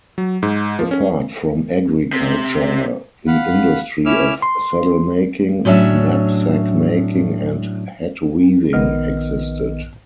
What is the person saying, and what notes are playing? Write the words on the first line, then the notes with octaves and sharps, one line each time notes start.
Apart from agriculture, the industry of saddle-making, knapsack-making and hat-weaving existed.
F#3
G#2
F3
C#4
C3
F5 F#5 B5
C#4 E4 D6 E6 F6
C6
A2 F#3 C#4 D4 E5
A#1 D#3 B3 D#5 F6